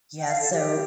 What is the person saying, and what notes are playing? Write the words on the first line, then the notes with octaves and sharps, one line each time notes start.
Yeah, so
G5
F5
A4
G4